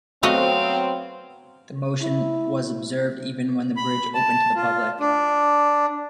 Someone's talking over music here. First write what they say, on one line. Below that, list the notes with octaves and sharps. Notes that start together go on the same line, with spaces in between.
The motion was observed even when the bridge opened to the public.
F#3 A3 B3 C4 F#4 D#5 F5
E4
B5
A5
F4
D4